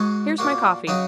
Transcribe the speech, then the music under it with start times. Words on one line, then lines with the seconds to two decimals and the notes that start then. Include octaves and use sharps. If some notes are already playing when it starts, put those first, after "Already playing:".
Here's my coffee.
Already playing: G#2 G#3 F#4
0.38 A#2 A#3 F#4
0.87 C#3 F#3 D#4 F#4